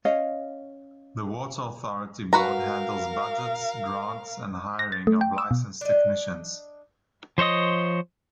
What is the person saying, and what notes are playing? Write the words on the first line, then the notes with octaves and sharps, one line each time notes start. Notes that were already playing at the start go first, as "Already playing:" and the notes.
The water authority board handles budgets, grants and hiring of licensed technicians.
C#4 C#5 D#5 F5
F#4 A#4 B4 F5 A#5
A#6
A6
A3
G5
E6
B2
D4 D#5
F3 C5 C#5 D#5 D#6